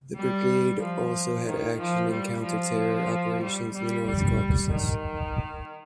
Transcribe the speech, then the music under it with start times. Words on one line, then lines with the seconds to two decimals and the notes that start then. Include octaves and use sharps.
The Brigade Also had action in counter terror operations in the north Caucuses.
0.16 G3
0.81 F3
1.46 D#3
1.79 F3
2.11 G3
2.43 F3
3.42 G3
3.74 G3
4.06 G3
4.71 D#3